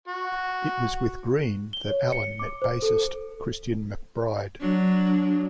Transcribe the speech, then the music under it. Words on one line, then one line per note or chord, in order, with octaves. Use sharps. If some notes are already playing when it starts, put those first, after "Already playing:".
It was with Green that Allen met bassist Christian McBride.
F#4
G7
C#5
C#7
D6
C5
A4
F#3 D4